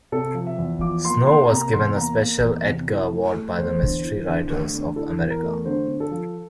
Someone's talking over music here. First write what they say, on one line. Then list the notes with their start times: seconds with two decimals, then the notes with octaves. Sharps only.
Snow was given a Special Edgar Award by the Mystery Writers of America.
0.12 C3 A4
0.34 F3
0.47 E5
0.58 E2
0.81 F3 D6
1.04 A#3 C6
1.27 A#3 C6
1.50 C3 A#5
1.74 E2 C6
1.96 A#3 A#5
2.20 A#3
2.43 E2
2.66 C3
2.88 E4
3.12 A3
3.35 A3
3.58 E2 C5
3.81 D3
4.03 E4
4.26 D3
4.50 A3
4.73 D3
4.96 E4 A4
5.19 E2
5.31 A#4
5.43 A3
5.65 D3 C5
5.88 D3
6.00 A4
6.11 F3